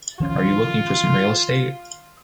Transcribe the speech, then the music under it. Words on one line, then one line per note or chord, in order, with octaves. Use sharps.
Are you looking for some real estate.
D#3 F3 C#4 F4